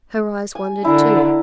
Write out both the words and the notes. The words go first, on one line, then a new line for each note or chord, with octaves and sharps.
Her eyes wandered too.
G#5
D3 E4 A#4